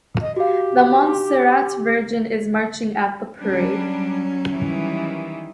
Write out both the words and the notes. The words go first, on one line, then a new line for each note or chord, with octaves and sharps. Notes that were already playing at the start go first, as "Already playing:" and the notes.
The Montserrat virgin is marching at the parade.
D#5
F#4 G4 F5
F#3 G3 C#4 D4
D#3 E3 G3